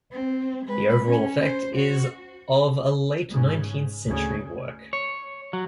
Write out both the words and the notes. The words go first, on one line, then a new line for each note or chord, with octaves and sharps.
The overall effect is of a late-nineteenth-century work.
C4
G#3 B4
C#4
C5
F#4
G#2 C#3
D2 C#3
C#5
F#3